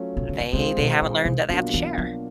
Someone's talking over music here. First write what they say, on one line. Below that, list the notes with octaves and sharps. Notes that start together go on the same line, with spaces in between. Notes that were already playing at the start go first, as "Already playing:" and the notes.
they they haven't learned that they have to share!
Already playing: F#3 A3 C#4 F4
C3
C#3
C#3
C3 G#3 C4 F4
B2
A#2
C3
B2 F3 F#3 A#3 D4 F4
E3
F3